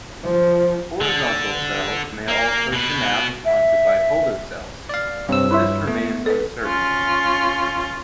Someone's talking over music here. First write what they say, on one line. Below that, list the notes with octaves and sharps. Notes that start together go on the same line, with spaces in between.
Horizontal cells may also synapse onto bipolar cells, but this remains uncertain.
F3
D3
A#3
B2 B4
E5
D5 F5
G2 C3 C4 C#5 F5 E6
E4 B4 C#5 E5 C6
A3 B3
A4 B4
C#4 F4